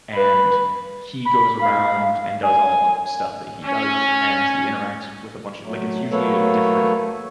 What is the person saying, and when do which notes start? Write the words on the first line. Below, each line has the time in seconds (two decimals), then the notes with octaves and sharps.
and he goes around and does all the stuff that he does, and he interacts with a bunch of like, it's usually a different
0.14 B4
1.25 B5
1.61 F5
2.43 G#5
3.63 C#4
5.64 F#3 A3
6.12 F#3 A3 A#3 A4 B4 C#5